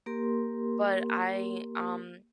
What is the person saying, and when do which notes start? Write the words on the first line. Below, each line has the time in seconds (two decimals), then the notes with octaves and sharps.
But I, um
0.06 A#3 G4 A#4 C6